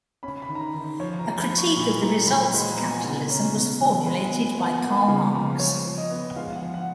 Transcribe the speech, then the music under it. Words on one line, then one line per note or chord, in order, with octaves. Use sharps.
A critique of the results of capitalism was formulated by Karl Marx.
C#4 B5
B5
D#3
A#5
B5
D#3
F3 C#5
A#5
F3
B5
F3
C#6
A#2 B5
A#2 A#5
F#3 B5
G#3 B5
A#5
B3
G#5
C#3
G#5
C#4 A#5
B2
F#3
G#3 B5
G#5
B3
B3
F#5
A#3
C#3
F3
F3 C#5
F3
D#5
B3
G#3 F5
F#5
F3
F#5